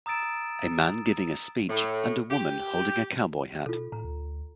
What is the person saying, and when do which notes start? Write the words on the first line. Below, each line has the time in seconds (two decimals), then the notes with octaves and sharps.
A man giving a speech, and a woman holding a cowboy hat.
0.06 A#5 D#6 E6 A6 D7 E7
1.70 A2
2.31 G4
3.66 B2 F4 A4
3.92 A2 A#5
4.04 D2